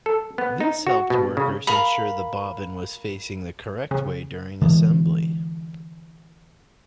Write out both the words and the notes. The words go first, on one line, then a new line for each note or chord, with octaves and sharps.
This helped workers ensure the bobbin was facing the correct way during assembly.
A4
B3
D#4
F#4
B2
C#3
A#4 F5 B5
C#3
D3 E3 G#3